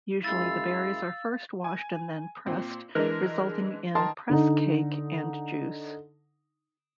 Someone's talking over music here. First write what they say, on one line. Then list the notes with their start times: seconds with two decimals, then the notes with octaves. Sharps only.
Usually, the berries are first washed and then pressed, resulting in press-cake and juice.
0.24 F#2 G#3 E4 F5 E6 A6
1.64 G#5
2.46 A#2 C4
2.95 E3 G#3 D4 A#4
3.95 D#3 A#4 A5 C6
4.30 D3 D#4